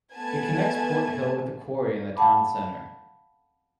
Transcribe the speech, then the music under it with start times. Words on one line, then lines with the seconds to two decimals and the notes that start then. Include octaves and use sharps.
It connects Porthill with the Quarry and the town centre.
0.14 A3 B3 B4 G#5 A5 G#6
2.16 F5 F#5 A5 B5 D6